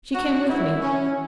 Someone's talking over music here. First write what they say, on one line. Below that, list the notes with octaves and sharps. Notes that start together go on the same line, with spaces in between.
She came with me.'
F#4
G#2 E3 B3 E4
C#4